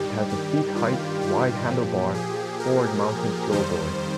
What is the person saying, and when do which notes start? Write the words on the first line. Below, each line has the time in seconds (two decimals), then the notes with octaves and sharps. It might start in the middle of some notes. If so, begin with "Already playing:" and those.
It has a seat height, wide handlebar, forward-mounted floorboards.
Already playing: G2 D#3 G3 G4
0.30 G4
0.76 F4
1.22 G4
1.68 A#2 F3
2.15 G#4
2.60 A#4
3.52 F2 D#3 G3 C5